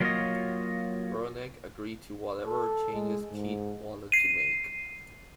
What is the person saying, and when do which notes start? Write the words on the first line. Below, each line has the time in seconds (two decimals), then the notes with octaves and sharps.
Proenneke agreed to whatever changes Keith wanted to make.
0.01 F#3 A#3 F4 F#4 C#5 D#5
2.46 A4
2.93 G#3
3.31 G#2
4.12 C7 D#7